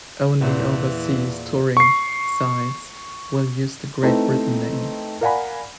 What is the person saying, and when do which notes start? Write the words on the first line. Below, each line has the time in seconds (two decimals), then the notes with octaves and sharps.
Only overseas touring sides will use the Great Britain name.
0.41 E2 A#2 E3
1.77 C#6 C7
4.02 A3 C4 D#4 E4 B4
5.21 A#4 D5 F5 F#5 G#5 B5